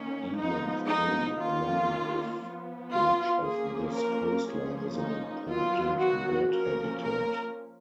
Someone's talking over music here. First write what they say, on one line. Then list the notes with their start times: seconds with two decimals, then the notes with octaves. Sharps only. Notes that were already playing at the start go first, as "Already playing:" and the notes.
Eland's Bay along with much of this coastline is an "important" bird habitat.
Already playing: D#3 A#3 C#4
0.37 F3 G#3 B3 D#4
0.88 D#4
1.39 D#3 A#3 C#4 F4
2.42 F3 B3
2.93 F4
3.44 F3 A#3 C#4 G#4
3.96 A#4
4.47 F3 A#3 C#4 G#4
4.98 D#4
5.49 D#3 F#3 B3 F4
6.01 F#4
6.52 F3 A#3 C#4 A#4
7.03 A#4